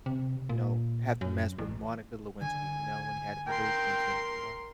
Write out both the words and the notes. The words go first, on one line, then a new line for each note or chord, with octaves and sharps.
you know, have to mess with Monica Lewinsky, you know, when he had Hillary Clinton, you know?
C3
A#2
F#2
A1
D3 G#5
A#4 G5 C6